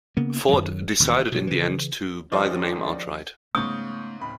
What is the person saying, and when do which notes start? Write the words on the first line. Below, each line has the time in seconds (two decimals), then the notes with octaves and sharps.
Ford decided in the end to buy the name outright.
0.17 C#3 A#3 B3
0.48 F#2 D#3 F#3
1.00 E1 D#2
1.32 B2 F#3
1.47 C#3 E3
2.32 F2 G#2 D#3 F3 C#4 C5 D5 D#5
3.55 G#2 C#3 A3 B3 C#6 D#6 G6
4.20 D1 B5